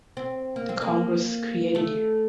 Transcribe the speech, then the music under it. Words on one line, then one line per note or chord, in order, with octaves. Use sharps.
The Congress created you.
C4
A#3
C4
A#3
A3